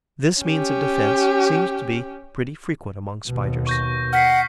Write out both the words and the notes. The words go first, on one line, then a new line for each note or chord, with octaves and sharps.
This means of defence seems to be pretty frequent among Spiders.
C#4 G4
D#2 B2
C#6 G6 A#6
F#5 F6 B6 C7